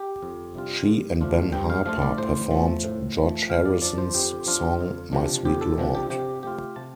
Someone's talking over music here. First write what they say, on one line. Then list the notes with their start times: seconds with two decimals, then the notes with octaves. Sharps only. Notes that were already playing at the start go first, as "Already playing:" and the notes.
She and Ben Harper performed George Harrison's song My Sweet Lord.
Already playing: G4
0.23 F2
0.55 C3 G3 D4 F4
0.87 G2
1.21 F3 A3 D4 F4
1.53 G2 G5
1.70 F5
1.85 F3 A3 D4 F4 F5
2.02 D5
2.18 A2 C5
2.51 F3 A3
2.84 A2
3.17 F3 A3
3.49 F2 F5
3.66 D5
3.82 F3 D4 D5
3.98 C5
4.14 F2 G4
4.47 F3 D4 F4
4.81 F2
5.13 C3 F3 D4
5.45 F2 G4
5.61 A4
5.78 C3 F3 D4
5.95 G4
6.10 C3 G4
6.43 A3 F4 G4
6.76 C3 A5